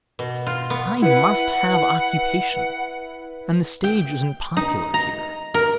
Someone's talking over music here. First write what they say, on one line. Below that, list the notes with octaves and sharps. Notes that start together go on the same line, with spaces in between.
I must have occupation, and the stage isn't popular here.
B2
F4
B3
E4 B4 F#5
G5
D#4
A#5
A#4